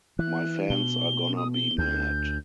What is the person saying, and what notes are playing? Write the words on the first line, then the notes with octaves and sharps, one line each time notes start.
My fans are gonna be mad.
E3 F#6
B2 G7
D#6
G7
D2 G6